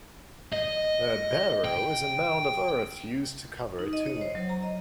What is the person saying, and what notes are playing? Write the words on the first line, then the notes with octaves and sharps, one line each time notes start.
A barrow is a mound of earth used to cover a tomb.
D#5
G5
D#4
D#5
C#5
C5
F#3
A#5
D#5